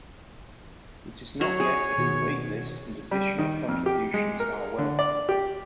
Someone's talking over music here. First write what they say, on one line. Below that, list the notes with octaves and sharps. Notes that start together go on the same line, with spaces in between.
It is not yet a complete list and additional contributions are welcome.
F#3 C#5
G#4
B2 D#3 F#4
G3
D#3
F2
G4
G#3
A#4
D3
D5
G4